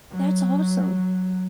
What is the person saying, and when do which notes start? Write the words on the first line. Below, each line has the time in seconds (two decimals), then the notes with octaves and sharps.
That's awesome.
0.12 F#3